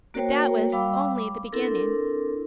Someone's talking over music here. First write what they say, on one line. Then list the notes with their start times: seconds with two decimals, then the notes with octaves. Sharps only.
But that was only the beginning.
0.14 A#3 F#4 A#4 C5 C#5 G5
0.72 G3 F5 G5 B5 D6 E6
1.16 D6
1.52 C4 D4 E4 A4 A#4